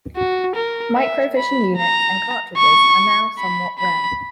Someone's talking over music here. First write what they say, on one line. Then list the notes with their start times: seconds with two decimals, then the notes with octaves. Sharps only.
Microvision units and cartridges are now somewhat rare.
0.16 F#4
0.56 A#4
0.96 E5
1.36 B5
1.77 A#5
2.57 C#6
3.38 B5
3.79 B5